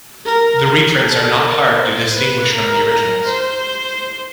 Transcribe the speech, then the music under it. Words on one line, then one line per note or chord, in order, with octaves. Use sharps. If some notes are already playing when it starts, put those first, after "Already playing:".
The reprints are not hard to distinguish from the originals.
A#4
A#4
A4
A#4
C5
B4
A#4
A#4
C5